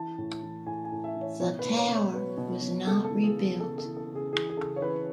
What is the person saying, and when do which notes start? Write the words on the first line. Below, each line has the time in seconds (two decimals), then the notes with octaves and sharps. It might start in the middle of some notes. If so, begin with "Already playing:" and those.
The tower was not rebuilt.
Already playing: E3 A5
0.18 A2
0.42 E3
0.66 A2 G#5
0.85 G#5
0.92 A2
1.04 E5
1.15 E3
1.21 C#5
1.40 B2 C#5
1.59 B4
1.65 B2
1.77 C#5
1.88 B2
1.95 C#5
2.14 F#3 B4
2.37 B2
2.62 B2
2.86 C#3 A4
3.04 A4
3.10 E3
3.23 G#4
3.35 E3
3.59 C#3 A4
3.78 A4
3.85 E3
3.97 A4
4.08 C#3
4.15 G#4
4.33 E3 G#4
4.50 G#4
4.57 C#3 A4
4.76 C#5
4.81 E3 B4